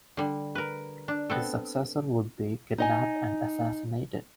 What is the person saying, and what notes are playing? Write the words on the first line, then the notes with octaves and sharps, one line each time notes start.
His successor would be kidnapped and assassinated.
D3 G3
A#4 B4
D4
B3 C4 A4
D#4 D#5 G#5